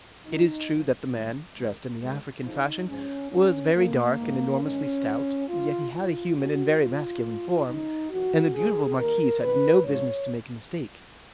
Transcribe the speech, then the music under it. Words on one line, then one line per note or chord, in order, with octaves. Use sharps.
It is true that the man, dressed in the African fashion, was very dark and enormously stout, yet he had a human and very masculine form, and the beautiful marquise had no business to make a mistake.
F#2 C#3 F3 D#4
F#2 F3
G#2 D#3
G#2 D#3
G#2 D#3
F2 C#3 F3 D#4
G#2 F3 C#4
F2 D#3 C#4
F2 F3 A#3
G#2 D#3
G#2 D#3 C#4
F#2 C#3 F3
C#2 C#3 F3 F4
G#2 D#3 F4
D#2 D#3 F#4
F#2 C#3 F3 F4
G#2 F3
C#2 C#3 F3 D#4
F2 D#3 F#4
C#2 C#3 F3 G#4
D#2 D#3 A#4
F2 D#3 B4
G#2 F3 C#5